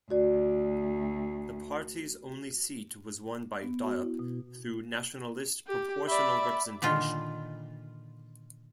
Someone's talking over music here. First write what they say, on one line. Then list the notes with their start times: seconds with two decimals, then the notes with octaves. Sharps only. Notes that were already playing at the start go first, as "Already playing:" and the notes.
The party's only seat was won by Diop through national list proportional representation.
0.10 D2 F#4 D5
3.63 B3
3.83 F#4
4.03 E4
4.19 B2
5.67 G4
6.08 D5 E5 B5
6.82 A#2 D3 D#3 F4